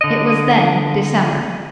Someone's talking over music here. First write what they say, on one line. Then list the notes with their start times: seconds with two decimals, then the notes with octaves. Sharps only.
It was then December.
0.01 D3 D#5